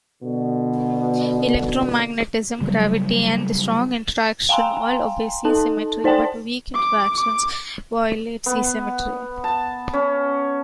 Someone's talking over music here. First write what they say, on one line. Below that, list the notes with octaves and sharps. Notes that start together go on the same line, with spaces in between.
Electromagnetism, gravity and the strong interaction all obey C-symmetry, but weak interactions violate C-symmetry.
B2 D3
C#3 F#3 G3
F5 G5 G#5 A#5 C6
D#4 A4 A5
D#4 C5 D5 G5 A5 C6
D6
D6
B3
A5
C#4